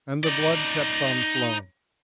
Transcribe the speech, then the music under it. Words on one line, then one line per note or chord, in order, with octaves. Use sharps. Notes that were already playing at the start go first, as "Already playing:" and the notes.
And the blood kept on flowing.
D#4 D5